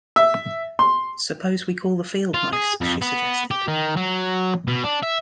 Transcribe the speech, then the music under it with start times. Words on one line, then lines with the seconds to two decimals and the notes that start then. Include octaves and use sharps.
"Suppose we call the Field Mice," she suggested.
0.16 E5
0.79 C6
2.34 F4
2.53 G#4
2.81 F2
3.02 B3
3.51 G4
3.68 D#3
3.97 F#3
4.68 B2
4.84 D4
5.03 E5